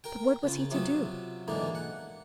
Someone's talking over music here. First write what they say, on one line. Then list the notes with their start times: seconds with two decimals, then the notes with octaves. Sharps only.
But what was he to do?
0.04 A#4 G5
0.43 C#3 F4
0.71 C3 F#3 B3 F4 E5
1.48 G#2 B2 D3 E3 A#3
1.75 F#5